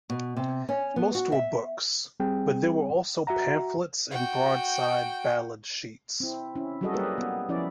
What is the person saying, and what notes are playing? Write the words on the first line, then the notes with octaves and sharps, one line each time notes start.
Most were books, but there were also pamphlets and broadside ballad sheets.
B2
C3
C#4
B3
F#4
E5
G3 C4 G#4 G5
F#4 E5 F#5 A#5
F#4 G5
C4 E4
C#4 E4
F#3 G3 F#4 G#4 A4 D#5
G3 A#3 G4 G#4 A#4 B4
B3
F3 C#4 E4 D5